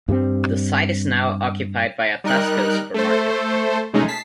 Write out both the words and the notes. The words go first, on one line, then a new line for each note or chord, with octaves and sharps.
The site is now occupied by a Tesco supermarket.
G2 G3 G#3 C4
G3 D#4 A#4 F#6
A3 A4 C5
B2 G#3 A3 C#4 D#4 G#4
A5 B6 C7